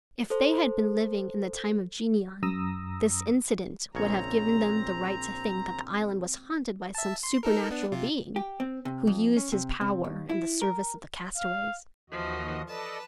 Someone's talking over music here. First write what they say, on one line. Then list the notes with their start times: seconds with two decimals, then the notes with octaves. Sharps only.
If they had been living in the time of genii, this incident would have given them the right to think that the island was haunted by some supernatural being, who used his power in the service of the castaways!
0.30 A4 C5
2.43 F#2 A#5 D#6 E6 A#6
3.95 A#1 C#3 C4 C#5 A#5
6.95 E5 A5
7.23 C6
7.43 D#4 A4 A#4
7.71 B3 D4
7.92 C3 F4
8.36 G4
8.60 C4
8.85 C3
9.07 F2
9.37 C#4
9.52 C3
9.81 C3
10.04 D#2
10.30 E4
10.62 A#4
11.38 F5
12.10 D#2 E3 F3 F#4 D#5
12.68 A4 B4 D5 D#5 A5